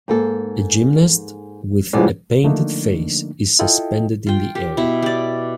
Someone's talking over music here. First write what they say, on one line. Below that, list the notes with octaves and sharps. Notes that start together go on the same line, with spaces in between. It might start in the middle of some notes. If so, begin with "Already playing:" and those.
A gymnast with a painted face is suspended in the air.
G#2 A#3 A4
A1 G2 C3 F3 G#3 D5
D3 F3 A3 A#3 D4 D#4
E4 F4 A4 D#5 G5
F4 G5
G4
B2 E4
G4 D5